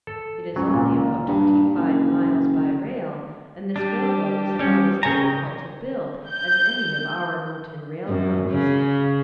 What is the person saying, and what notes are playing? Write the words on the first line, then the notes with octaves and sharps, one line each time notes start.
It is only about twenty-five miles by rail and this railroad was about as difficult to build as any of our mountain railroads.
A4
C#2 F#3
A#2
G2
F#1
G3 D4 G4
G3 C#4
C#3 C#5 G5 G#5 A#5
G6
F#2
C#3